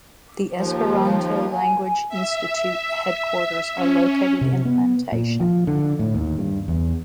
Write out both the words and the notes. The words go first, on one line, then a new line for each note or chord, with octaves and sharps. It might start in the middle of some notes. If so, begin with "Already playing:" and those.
The Esperanto language institute headquarters are located in Plantation.
D#2 F3
G#5
E5
C#4
C3
B3
A#2
F3
D3
A2
D#2
G2
E2